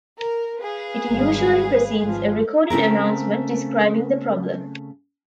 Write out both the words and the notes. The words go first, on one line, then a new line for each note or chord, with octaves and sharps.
It usually precedes a recorded announcement describing the problem.
A#4
G#4 B4 F5
G#1 G3
G#1 F3
C#3 A3 C4 A#4